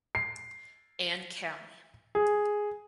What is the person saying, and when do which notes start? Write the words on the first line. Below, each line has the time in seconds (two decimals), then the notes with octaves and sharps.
Anne County.
0.15 C7
2.15 G#4